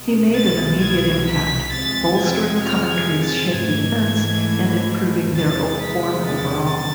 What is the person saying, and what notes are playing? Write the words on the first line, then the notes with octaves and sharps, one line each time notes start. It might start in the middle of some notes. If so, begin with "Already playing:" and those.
He made an immediate impact, bolstering Coventry's shaky defence and improving their form overall.
Already playing: C2 B2 G#3
A6
G#6
B6
F2 C3 G#3 A6
G#6
F6
G#6
A6
G#2 E3 A3 G#6
E2 C3 G#3 A6
B6
A6